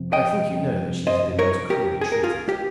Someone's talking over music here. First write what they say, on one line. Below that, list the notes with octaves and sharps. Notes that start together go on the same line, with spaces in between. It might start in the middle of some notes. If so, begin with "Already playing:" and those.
"But I think you know that she has been most cruelly treated."
Already playing: F2 C3
D#5 G5
C5 D#5
A#4 C#5
G4 A#4
G#4
A#4
F4 G#4
G4